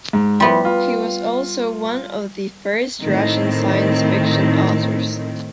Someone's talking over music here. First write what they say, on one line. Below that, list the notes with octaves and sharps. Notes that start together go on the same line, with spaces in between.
He was also one of the first Russian science fiction authors.
G#2
F3 G3 B3 E4 C6
F4
A2 D#3 C4